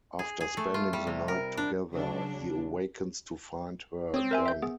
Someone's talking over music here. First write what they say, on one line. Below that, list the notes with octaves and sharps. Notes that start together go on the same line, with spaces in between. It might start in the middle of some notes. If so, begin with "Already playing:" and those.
After spending the night together, he awakens to find her gone.
G#4
G#4
A3
F4
G3
C3
A#4
D4
C#3 F#3 D4
C4 C#5 D#6
A#4 E5 G#5
E5 G6
B3 G#4